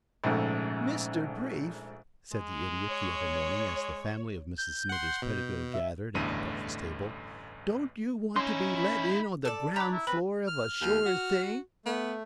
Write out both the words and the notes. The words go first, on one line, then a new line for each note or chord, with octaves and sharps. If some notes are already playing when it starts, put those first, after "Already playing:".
"Mr. Brief," said the Idiot the other morning as the family of Mrs. Smithers-Pedagog gathered at the breakfast table, "don't you want to be let in on the ground floor of a sure thing?"
A#1 G#2 C#3 A3
G#3
C#5
G6
F#5 C6
B2
E5
A1 E2 G2 D3 A3 D#7
C#4 D#4 E4 C6
B5
A4 D5
D4 C#5 A#5 B5 D6
E4
C4 B4 B5
F6
D#2
F#4
A3 B3